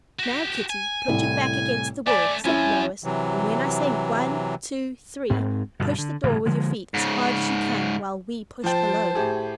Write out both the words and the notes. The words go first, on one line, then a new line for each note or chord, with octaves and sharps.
"Now, Kitty, put your back against the wall," said Lois, "and when I say 'One, two, three,' push the door with your feet as hard as you can, while we push below."
F#4 G4
G#5
C2 A2
A3 C#4 D5 G#5
F2 F3 C#4 E4 E5 G#5
C3 E3 F#3
G#2 C4
G2 B2 D3
D3
G1 A2 C#3 E3
D3 F3 G#3 A#3
G#2 C#3
F3 C5 G5 A5
A2 G4 G#4